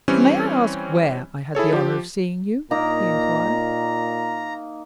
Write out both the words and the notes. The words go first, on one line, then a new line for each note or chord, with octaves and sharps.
"May I ask where I had the honor of seeing you?" he inquired.
E3 G3 C4 C#4 C#5
E4 G#4 A4 C#5
F3 G4
A#2 A#3 D#4 A#5